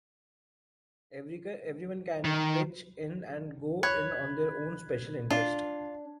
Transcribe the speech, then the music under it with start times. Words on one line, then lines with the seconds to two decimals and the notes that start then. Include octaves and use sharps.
Everyone can pitch in and go in on their own special interest.
2.25 D#3
3.83 C#5 B5 F#6 G#6
5.31 D4 F4